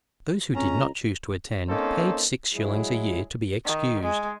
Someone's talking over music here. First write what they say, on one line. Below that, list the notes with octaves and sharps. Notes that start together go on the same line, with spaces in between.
Those who did not choose to attend paid six shillings a year to be excused.
C#2 C4 C#4 A#5
A#3 C4 C#4 D#4 A4 C5
F#3 G#3 E4 G#4
D#3
G#3